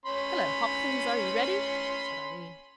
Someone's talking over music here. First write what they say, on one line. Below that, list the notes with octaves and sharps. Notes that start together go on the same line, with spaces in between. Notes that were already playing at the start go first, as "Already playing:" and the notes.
"Hullo, Hopkins, are you ready," said Irene.
C#4 B5 C6